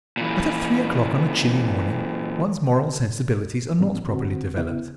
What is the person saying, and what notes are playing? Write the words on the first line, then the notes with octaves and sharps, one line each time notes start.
But at three o'clock on a chilly morning one's moral sensibilities are not properly developed.
A#2 E3
G#2 E3 G3 B3 C#4
D3 C4 F#4
C#3 B3 E4